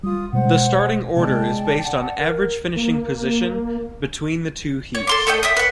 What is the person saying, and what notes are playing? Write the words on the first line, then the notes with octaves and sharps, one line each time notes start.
The starting order is based on average finishing position between the two heats.
G3 F4 D#6
B2 G3 G#3 C5 F#5
C3 G#3 B3 D5 G5 A5
F#5
A#4
A#3
C#5
A4 C6 D6
A3 A4 D#5 G5
E5 G5 D#6
B4 F#5